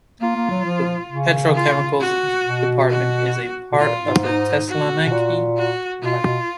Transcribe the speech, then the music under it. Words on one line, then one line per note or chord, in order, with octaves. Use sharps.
The petrochemicals department is a part of the Thessaloniki refinery.
A#3 F4
A#3
F#3
F3
C#3
F4
F#4
B2
F#4
B2
A#2 F4
G#2
D#4
F#4
B2
A#2
F#4
B2 F4
B2